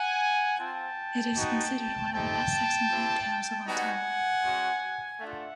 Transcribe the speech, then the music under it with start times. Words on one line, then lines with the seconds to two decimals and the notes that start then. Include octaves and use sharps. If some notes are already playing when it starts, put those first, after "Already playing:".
It is considered one of the best Sexton Blake tales of all time.
Already playing: F#5 G#5
0.59 C4 F4 G5 A5
1.36 B3 D#4 F#4
2.13 A3 C4 D#4 G4 G5 A5
2.90 C4 E4 G4
3.67 G3 B3 D#4 F#4 F#5 G#5
4.43 G#3 C#4 F#4
5.20 A3 D4 F4 E5 F#5